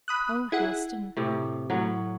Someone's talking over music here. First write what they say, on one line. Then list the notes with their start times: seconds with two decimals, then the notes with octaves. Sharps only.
Oh, Helstone!
0.08 B5 D#6 F#6
0.52 E4 G#4 F#5
1.17 A2 C3
1.70 A2 F#3